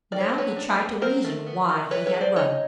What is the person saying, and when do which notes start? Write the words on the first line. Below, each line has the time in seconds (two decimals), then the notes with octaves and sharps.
Now he tried to reason why he had run.
0.12 D#3 D5
0.20 C#5
0.29 C5
0.34 F#3 B4 C#5
0.56 D4
0.80 F#3
1.01 F#3 A#4 C5
1.24 A3
1.47 B3
1.69 E3
1.91 E3 B4 C#5
2.06 B4 C#5
2.14 G#3
2.21 C5 D5
2.36 D#4 C#5 D#5